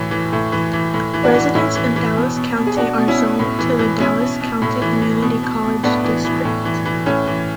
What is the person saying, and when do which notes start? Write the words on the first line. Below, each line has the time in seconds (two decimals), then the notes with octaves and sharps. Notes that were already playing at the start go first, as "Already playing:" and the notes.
Residents in Dallas County are zoned to the Dallas County Community College District.
Already playing: A2 E3 A4 C#5
0.11 E3
0.33 A2
0.52 E3
0.73 E3
0.94 A2
1.14 E3
1.23 D4 F#4
1.34 E3
1.55 A2 C#4 E4
1.75 E3
1.96 E3
2.17 B2
2.36 B2
2.57 B2
2.66 G#4
2.77 B2 D4 F#4
2.98 B2
3.08 C#4 E4
3.18 B2
3.39 A2
3.59 E3
3.79 E3
3.99 B2 C#4 E4
4.20 B2
4.41 B2
4.62 A2
4.82 E3
5.02 E3
5.22 B2
5.43 B2
5.64 B2
5.83 A2 B3 D4
6.04 E3
6.25 E3
6.45 A2
6.65 E3
6.85 E3
7.06 A2 C#4
7.27 E3